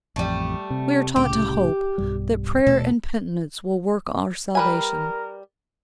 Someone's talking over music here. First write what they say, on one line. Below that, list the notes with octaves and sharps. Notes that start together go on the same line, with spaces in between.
'We are taught to hope, that prayer and penitence will work our salvation.
A1 F2 G3 A3
C3
C2 A2 C#3 G4
B1 G2 G3
D#1 B2 A3 A4
G3 A#4 B4 G#5